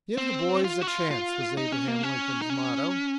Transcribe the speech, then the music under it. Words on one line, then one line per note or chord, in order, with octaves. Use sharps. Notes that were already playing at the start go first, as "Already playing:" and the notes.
"Give the boys a chance," was Abraham Lincoln's motto.
C4
F4
F#4
F4
F4
D#4
C#4
A#3
C#4
D#4
C#4